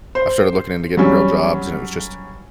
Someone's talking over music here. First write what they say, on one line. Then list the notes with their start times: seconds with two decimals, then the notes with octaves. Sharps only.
I've started looking into getting real jobs, and it was just,
0.15 C5
0.97 F#3 G3 C#4